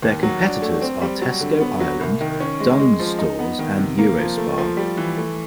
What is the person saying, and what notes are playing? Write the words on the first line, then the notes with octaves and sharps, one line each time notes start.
Their competitors are Tesco Ireland, Dunnes Stores and Eurospar.
D#2
F#3
D4
A3
C4
G3
F#3
D3
B3
F#3
C2
D#3
C#4
G#3
G#3
F3
D#4
B3
D#3
C3
A#3
F3
A3
F3
G3
E3
A3